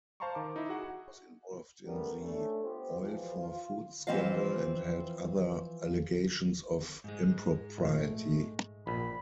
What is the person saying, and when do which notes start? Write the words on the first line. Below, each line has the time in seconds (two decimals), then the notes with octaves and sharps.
He was involved in the oil-for-food scandal and had other allegations of impropriety.
0.20 C5 F5 A5 A#5 C6 C#6
0.35 D#3 D6
0.56 D#4 E4
0.69 F#4 G#4 F#5
1.86 G3 A3 B3 C#4 G4 A#4
2.21 A3 C#4 D4
2.62 B3 F4 G4 C5
3.01 B1 E2 E3 F3
3.39 F4
4.07 E3 F3 C4 F4 D#5 F5
7.04 G#2 G#3
7.78 A#1 A3
8.87 A#1 A#2 B5